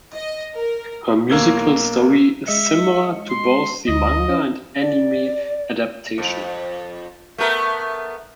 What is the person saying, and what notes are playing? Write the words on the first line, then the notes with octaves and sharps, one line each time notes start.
Her musical story is similar to both the manga and anime adaptation.
D#5
A#4
B1 A#3 E6 G#6 G7
G#3 D#5 E5 C#7
C6
D2 D#5 A#6
C#4
D5
F2
A3 B3 A#4